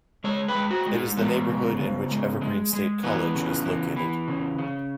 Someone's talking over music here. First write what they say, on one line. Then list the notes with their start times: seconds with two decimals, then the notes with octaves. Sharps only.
It is the neighbourhood in which Evergreen State College is located.
0.24 G#3 C#5
0.48 B4
0.55 G#3
0.71 F#4
0.86 G#3
0.94 D#4
1.17 G#3 B3
1.48 C#3
1.80 C#3
2.10 G#3
2.41 G#3
2.73 G#3
3.03 E3 B3
3.34 C#3
3.65 E3
3.96 E3
4.28 C#3
4.58 C#3